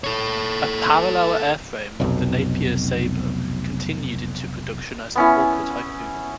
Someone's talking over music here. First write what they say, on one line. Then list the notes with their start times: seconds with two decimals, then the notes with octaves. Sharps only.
A parallel airframe with the Napier Sabre continued into production as the Hawker Typhoon.
0.04 A4 C#5
2.00 F1 B1
5.16 B3 C#4 E4